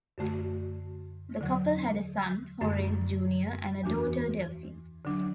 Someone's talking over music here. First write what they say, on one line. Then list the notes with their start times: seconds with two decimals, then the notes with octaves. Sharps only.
The couple had a son, Horace Junior and a daughter, Delphine.
0.18 F#2 D3 A3 F#4
1.40 E2 D3 F#3
2.61 F#2 D3 A3
3.84 E2 E3 A3 D4 F#4
5.05 D3 F#3 D4